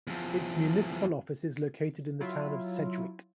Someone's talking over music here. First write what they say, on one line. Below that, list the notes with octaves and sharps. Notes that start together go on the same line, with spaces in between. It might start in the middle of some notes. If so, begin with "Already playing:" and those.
Its municipal office is located in the Town of Sedgewick.
E2 F3
F#3 E4 F4